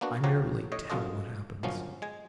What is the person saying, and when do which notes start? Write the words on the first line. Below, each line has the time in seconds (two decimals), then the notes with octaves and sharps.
I merely tell what happens.
0.01 A#3 B3 D4 F#4
0.24 D2 F3 G4 C#5 F#5 A#5
0.72 A2 C#5 D#5
0.90 F#2 G#3 F4 F#4 A4 D#5
1.63 G1 F#2 F3 F#3 C#4
2.02 G#3 G#5